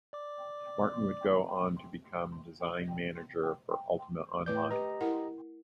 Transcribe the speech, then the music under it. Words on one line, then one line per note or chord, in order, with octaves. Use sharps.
Martin would go on to become Design Manager for "Ultima Online".
D5 D6
A2 A3 B4 D5 D6 G6
G4 B4 D#5 A#5
E4 A#4 F#5